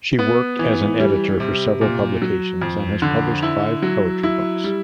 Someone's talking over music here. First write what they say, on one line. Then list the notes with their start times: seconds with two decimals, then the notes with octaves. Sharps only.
She worked as an editor for several publications and has published five poetry books.
0.19 B3
0.59 E3
1.00 G3
1.40 C3
1.81 A#2
2.22 F#3
2.62 F2
3.02 D3
3.42 E4
3.82 F#3
4.23 E4
4.64 G3